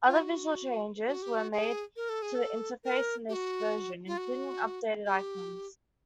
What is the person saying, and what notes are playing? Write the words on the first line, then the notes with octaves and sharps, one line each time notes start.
Other visual changes were made to the interface in this version, including updated icons.
F4
F#4
F#4
G4
F#4
G#4
A#4
A4
G#4
A4
A#4
G4
F#4
F4
F#4
G4